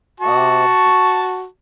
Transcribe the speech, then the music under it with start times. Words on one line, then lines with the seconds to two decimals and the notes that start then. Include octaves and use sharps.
Um, w
0.20 F#4 A5 C#6